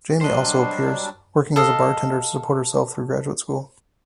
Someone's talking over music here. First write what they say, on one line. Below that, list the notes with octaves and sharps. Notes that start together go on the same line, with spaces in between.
Jamie also appears, working as a bartender to support herself through graduate school.
F#3 G3 D4 C5 D#5
A4 D#5 F5